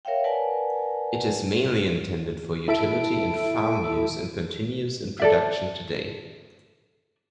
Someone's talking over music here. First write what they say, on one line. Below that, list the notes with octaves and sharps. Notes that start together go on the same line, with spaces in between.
It is mainly intended for utility and farm use and continues in production today.
A#4 C#5 E5 F5 G5
A#4 B4 D5 F#5 G#5 A5
E4 A4 E5 D7
A4 D5 E5